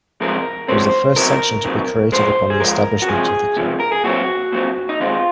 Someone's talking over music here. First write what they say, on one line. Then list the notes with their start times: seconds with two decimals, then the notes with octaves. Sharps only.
It was the first section to be created upon establishment of the club.
0.20 G#2 F3 G#3 C4 A#4
0.68 G#2 F3 G#3 C4 C5
1.16 D#2 D#3 F#3 C4 A#4
1.64 D#2 D#3 F#3 C4
2.12 A#2 F3 G#3 C5
2.50 G#4
2.60 A#2 F3 G#3 A#4
3.02 F#4
3.08 C#2 C3 F3 G#4
3.56 C#2 C3 F3
3.80 A#4
3.92 G#4
4.04 A#2 F#3 C4 F#4
4.52 A#2 F#3 C4
4.89 D#4
5.00 D#2 D#3 G#3 C4 F4